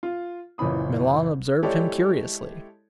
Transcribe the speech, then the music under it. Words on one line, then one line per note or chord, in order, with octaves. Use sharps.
Milon observed him curiously.
F4
F#1 A#2 E3 C#4 B5 D#6
G#3 E4 G4 A4 C#5 D5